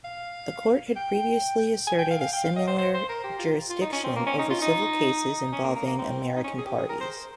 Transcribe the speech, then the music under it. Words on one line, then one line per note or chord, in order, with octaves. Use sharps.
The Court had previously asserted a similar jurisdiction over civil cases involving American parties.
F5
G5
G#5
G5
F5
F5
G5
F5
D#5
C5
C5
C5
A#4
G4
F4
F4
D#4
C#4
C4
A#3
C#4
D#4
F4
D#4
C#4
A#3
A#3
A#3
C4
D#4
C#4
G#4
G4
G#4
A#4
C5